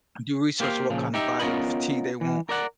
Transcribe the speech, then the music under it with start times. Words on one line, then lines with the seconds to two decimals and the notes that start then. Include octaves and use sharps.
do research on what kinda body or physique they want,
0.60 A#3 G4 C5 C#5 F5
0.90 A#2 C#3 F3
1.14 D#4 G4 E5
1.40 B3 C#4 F4 A#4 D#5 B5
2.21 E3
2.49 A#4 D5 F#5